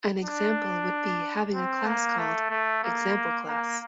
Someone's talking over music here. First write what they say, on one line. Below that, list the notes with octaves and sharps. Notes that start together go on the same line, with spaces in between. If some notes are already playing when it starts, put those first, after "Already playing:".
An example would be having a class called "ExampleClass".
D4
C4
A#3
A3
A3
A#3
A#3